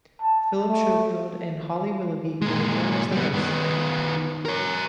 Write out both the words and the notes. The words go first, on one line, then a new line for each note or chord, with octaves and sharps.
Phillip Schofield and Holly Willoughby will return as the hosts.
A5
A3
A#2 G#3
G3 B3
D#3 B3
A#4 C#5